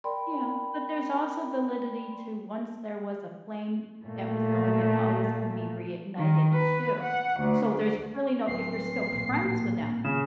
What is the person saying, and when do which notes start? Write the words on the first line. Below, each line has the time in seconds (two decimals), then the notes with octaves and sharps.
Yeah, but there's also validity to once there was a flame that was going, it always can be reignited too. So, there's really no if you're still friends with them,
0.04 A#4 D5 G5 B5 C6
4.05 A#2 A3
6.18 D#3
6.53 B4
7.03 F#5
7.41 D2
8.48 D1 B4 C7
9.12 A1 A#2 A#3
10.05 C#3 E7